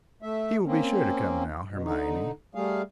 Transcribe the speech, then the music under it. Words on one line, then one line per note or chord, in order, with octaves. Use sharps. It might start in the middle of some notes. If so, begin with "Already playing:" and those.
"He will be sure to come now, Hermione."
A3 E5
A#3 C4 C#4
B2
D3 D#4
G3 A3 G#4 F5